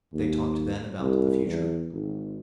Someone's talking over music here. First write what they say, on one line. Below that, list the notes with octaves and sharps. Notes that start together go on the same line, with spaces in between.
They talked then about the future.
D#2
C2
E2
G#1